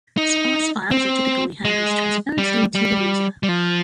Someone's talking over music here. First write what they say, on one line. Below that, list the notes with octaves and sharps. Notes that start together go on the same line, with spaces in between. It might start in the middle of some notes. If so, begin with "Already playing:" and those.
Sparse files are typically handled transparently to the user.
D#4
C4
G#3
G3
G3
G3
F3